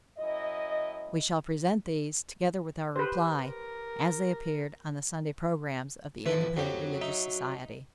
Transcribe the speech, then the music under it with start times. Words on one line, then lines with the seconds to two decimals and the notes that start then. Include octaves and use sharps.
We shall present these together with our reply as they appeared on the Sunday Programs of the Independent Religious Society.
0.19 F#2 E4 D#5
2.96 G4 B4 C5
3.48 A#4
6.26 E3 F3 E4 A4 B4
6.57 F2 F#4 G4 C#5
7.01 D#4 E5